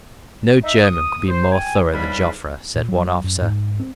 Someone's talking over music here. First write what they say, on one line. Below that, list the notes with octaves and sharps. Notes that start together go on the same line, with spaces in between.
"No German could be more thorough than Joffre," said one officer.
D#4 E5
D#6
C5
G5 G#5
C#2 G#2 G3 D4 F5 B5
A#2
F#3
F#2
G#2
C4